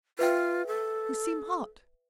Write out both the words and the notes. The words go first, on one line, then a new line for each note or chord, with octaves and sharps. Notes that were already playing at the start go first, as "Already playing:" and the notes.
"You seem hot."
F4 B4 E5 G5
A4